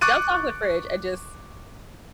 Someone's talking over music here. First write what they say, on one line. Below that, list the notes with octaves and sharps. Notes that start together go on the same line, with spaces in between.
jumps off the fridge and just
C#6 D6 F#6 A6 D#7